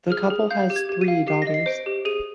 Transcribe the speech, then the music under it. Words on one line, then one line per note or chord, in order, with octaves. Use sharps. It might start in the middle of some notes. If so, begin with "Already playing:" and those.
The couple has three daughters.
G#4 F6
G#4
F5 G6
G4
G#6
G4
D#7
F5
G4 C7
A#6
D#5
C7
C5 D7
G4
G#4 D#7